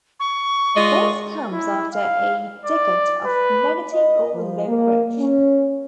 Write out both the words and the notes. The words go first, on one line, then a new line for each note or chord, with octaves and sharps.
This comes after a decade of negative or low growth.
C#6
G#3 F4 D5 D#5
E4
F5
D5
B4
D#5
F3
A#3
C#4